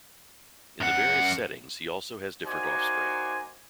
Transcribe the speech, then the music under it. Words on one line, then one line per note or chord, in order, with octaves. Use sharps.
In the various settings, he also has different offspring.
F#2 F#5
A#3 D#4 F#4 C5 D5 G#5